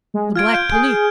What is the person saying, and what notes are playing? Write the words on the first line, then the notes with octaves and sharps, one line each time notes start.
The Black Police.
G#3
F4 F6 G#6 D7
G6
G#4 G6